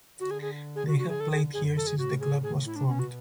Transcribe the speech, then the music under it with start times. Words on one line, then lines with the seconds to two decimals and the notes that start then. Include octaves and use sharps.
They have played here since the club was formed.
0.20 D3 F#4
0.31 G#4
0.42 G#4
0.76 G#4
0.88 F#4
0.99 F#4
1.09 G#4
1.20 A4
1.32 G#4
1.54 F#2 G#4
1.77 A4
1.87 G#4
1.98 A2 F#4
2.20 G#4
2.43 G#4
2.66 E4
2.76 D4
2.88 B2 C#4
2.99 F#4